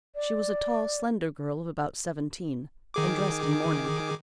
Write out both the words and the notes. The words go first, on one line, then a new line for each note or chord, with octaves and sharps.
She was a tall, slender girl of about seventeen, and dressed in mourning.
D5
D#3 G#4 D6